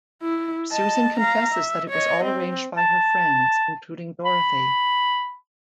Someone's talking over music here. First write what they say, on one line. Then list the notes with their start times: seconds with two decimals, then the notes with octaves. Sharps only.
Susan confesses that it was all arranged by her friends, including Dorothy.
0.22 E4
0.72 D#5 A5
1.19 F5 A#5
1.54 E5
1.90 C#5 D#5
2.24 C4
2.77 A5
4.25 B5